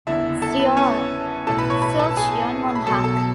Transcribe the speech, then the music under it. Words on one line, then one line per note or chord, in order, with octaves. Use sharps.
Seoul: Silcheon Munhak.
F#1 E2 D3 E4 E5
A4 A5
B3 B4
C#4 C#5
B1 A2 E3 A4 A5
B4 B5
C#5 C#6
B4 B5
A4 A5
G#4 G#5
B5
B1 B2 F#3 A4 A5
A4 A5